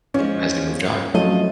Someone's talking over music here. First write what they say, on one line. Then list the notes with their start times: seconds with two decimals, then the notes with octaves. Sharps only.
you guys have moved on.
0.14 F3 G#3 C#4
1.14 F3 F#3 A3 C4 F4 D#5